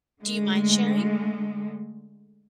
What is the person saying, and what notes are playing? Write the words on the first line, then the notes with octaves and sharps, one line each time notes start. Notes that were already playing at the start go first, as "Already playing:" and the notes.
do you mind sharing?
D3 G#3 A3